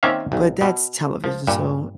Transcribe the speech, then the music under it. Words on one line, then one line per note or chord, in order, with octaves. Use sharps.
But that's television, so
D#3 A#3 C4 C#4 E5 F5
B1
B2
F3
G2 A#2